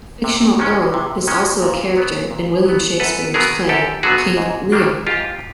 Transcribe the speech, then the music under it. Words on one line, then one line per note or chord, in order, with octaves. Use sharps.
A fictional earl is also a character in William Shakespeare's play King Lear.
C3
D#3 G#3 C#4
C3
D#3 G#3 C#4
A#2
F#3 B3
A#2
F#3 B3
F#2 A4 B4
D3 F#3 B3 G#4 A#4
F#2 G4 A4
D3 F#3 B3 F#4 G#4
G#2
D#3 G3 A#3 D4
G#2 F4 G4